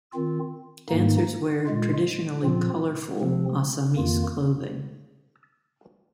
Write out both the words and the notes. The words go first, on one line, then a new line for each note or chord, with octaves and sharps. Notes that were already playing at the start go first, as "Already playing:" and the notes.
Dancers wear traditionally colorful Assamese clothing.
D#3 C4 F4
G#2 D#3 A#3 D#4
A#2 G#3 F4
A#2 F3 C4 F4
C3 F3 C4
F2 D#3 A#3 F4